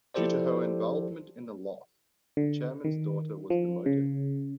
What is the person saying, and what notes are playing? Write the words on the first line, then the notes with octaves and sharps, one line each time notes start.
Due to her involvement in the loss, the chairman's daughter was demoted.
F3 E4 G4 A4 C5 D5
D3
D#3
F3
C#3